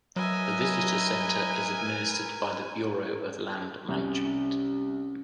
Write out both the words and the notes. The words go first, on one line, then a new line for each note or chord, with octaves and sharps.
The visitor center is administered by the Bureau of Land Management.
F#3 A#4 B4 D#5 E5 G#5
C2 C#4